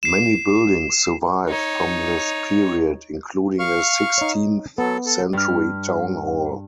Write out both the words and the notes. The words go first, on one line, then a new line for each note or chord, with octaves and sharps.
Many buildings survive from this period, including a sixteenth-century town hall.
C7 E7
D#4 C#5
F5 C#6 F6
D#4 C#5
F#3 B3 A4
A4
G2 F6